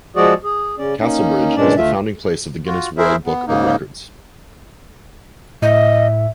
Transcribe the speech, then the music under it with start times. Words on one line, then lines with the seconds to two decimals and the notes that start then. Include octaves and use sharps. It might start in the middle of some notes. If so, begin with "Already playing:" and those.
Castlebridge is the founding place of the Guinness World Book of Records.
0.16 F3 G#3 F#4 G#4 D5
0.44 G#4
0.78 C#3 C#4 D5
1.00 A#3 C#4 D#4
1.56 G2 A#2 G#3 C#4 D4 D5
1.77 D2 A3 F4 E5
2.66 F4 F#4
2.98 E4 G#4 A#4 C5 E5
3.26 B3
3.47 G#2 C#3 A#3 D#4
5.62 A2 D#5 E5